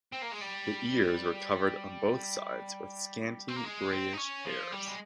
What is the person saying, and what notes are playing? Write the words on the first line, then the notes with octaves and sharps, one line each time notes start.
The ears were covered on both sides with scanty grayish hairs.
C4
A#3
G#3
G3
C4
A#3
G#3
C4
D#4
C#4
F3
G3
G#3